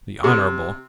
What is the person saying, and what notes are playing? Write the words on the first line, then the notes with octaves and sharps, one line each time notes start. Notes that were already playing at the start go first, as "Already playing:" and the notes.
The Hon.
C3